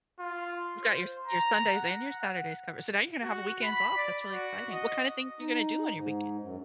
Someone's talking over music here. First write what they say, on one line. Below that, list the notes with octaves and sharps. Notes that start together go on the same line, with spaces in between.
You've got your s your Sundays and your Saturdays covered. So now you're gonna have weekends off. That's really exciting. What kinda things are you gonna do on your weekend?
F4
C5
A#5
F#5
F#4
B5
D5
F#4
D#5
D#4
G#2
F#2